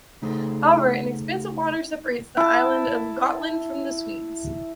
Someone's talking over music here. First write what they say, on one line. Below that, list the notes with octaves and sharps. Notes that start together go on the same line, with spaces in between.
However, an expanse of water separates the island of Gotland from the Swedes.
C#3 A3 D#4 G#4 A4 C5
E4 A5